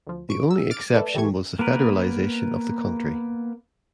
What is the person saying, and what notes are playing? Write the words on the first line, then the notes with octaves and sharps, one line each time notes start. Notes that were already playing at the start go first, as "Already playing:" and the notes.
The only exception was the federalization of the country.
D2 F3
G#2 C#6 D7
E6
D6 F6 A6 D7
A3 A4 B4 D5
D#2 E3 G4 A4 C#6 G#6
A#3 B3 A#4 B4